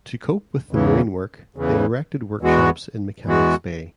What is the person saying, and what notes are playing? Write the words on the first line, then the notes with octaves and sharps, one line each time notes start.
To cope with the marine work they erected workshops in Mechanics Bay.
E2 C#3 E3
E2 C#3 E3
E2 E3 G#3 B3 F#4
E2 E3 G#3 B3 F#4